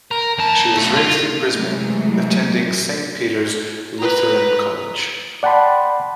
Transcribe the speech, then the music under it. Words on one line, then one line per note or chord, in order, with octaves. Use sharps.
She was raised in Brisbane, attending Saint Peter's Lutheran College.
A#4
D#2 A5
B1 A3
F4
C3 E3 F#3 G#3 A3
B4 A#5
D5 F#5 G5 A5 B5 C6